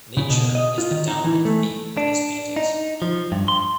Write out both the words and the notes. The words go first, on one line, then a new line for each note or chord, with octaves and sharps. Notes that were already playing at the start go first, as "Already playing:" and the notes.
Nature is the dominant theme in his paintings.
C#3
B2
D#5
F4
D#3
D#4
E3
A3
D4
D#4
F3
G2
C6